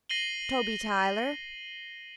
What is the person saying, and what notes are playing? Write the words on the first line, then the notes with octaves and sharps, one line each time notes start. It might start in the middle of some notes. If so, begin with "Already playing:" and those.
"Toby Tyler."
A#6 C7 D#7 F#7 G7